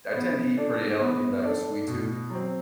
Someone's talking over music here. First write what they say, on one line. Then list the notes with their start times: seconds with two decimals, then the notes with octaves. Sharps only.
I I tend to eat pretty healthy, but I have a sweet tooth,
0.14 B3
0.57 D4 A4 D5
1.00 B3
1.43 D4 A4 D5
1.87 B2
2.30 F#3 C4